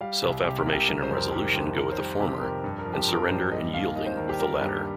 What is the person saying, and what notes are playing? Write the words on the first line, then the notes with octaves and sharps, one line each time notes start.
Self-affirmation and resolution go with the former and surrender and yielding with the latter.
G3 F5
C2
C3 G4
A#4
C2
G4
G3 A#4
C5
F2
A#4
D#3 G4
F2
D#3 A#4
C5
G3 A#4
C3 G4
F2 A#4
G2
A#4
F3
G4
F3 A#4
G2 C5
G3 D#5
D#2 F5
D#3 D#5
C5
D#2 A#4
G4
G3 A#4
G2 G4